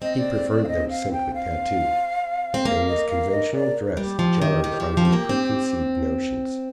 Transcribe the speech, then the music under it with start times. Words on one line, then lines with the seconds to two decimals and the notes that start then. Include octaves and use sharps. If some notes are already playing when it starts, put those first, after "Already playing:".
He preferred them simply tattooed, and this conventional dress jarred on his preconceived notions.
0.02 C4 D#5
0.18 D5
0.34 D5
0.50 D5
0.64 F5
0.68 D#5
0.89 F5
1.12 G5
1.34 F5
2.54 C4
2.65 A#3 F5
2.87 D#5
3.09 F5
3.31 D#5
3.53 D5
3.97 G3 G4
4.19 F3
4.42 D#3
4.64 D#3
4.80 F3
4.97 F3
5.05 C4
5.13 A#3
5.29 C4